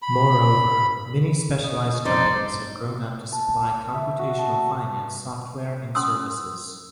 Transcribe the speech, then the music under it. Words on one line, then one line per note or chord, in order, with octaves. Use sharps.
Moreover, many specialized companies have grown up to supply computational finance software and services.
B5
D#5
F2 D#4 C5 D5
A5
E5
F#4
A5
C#4 C6 D#6 E6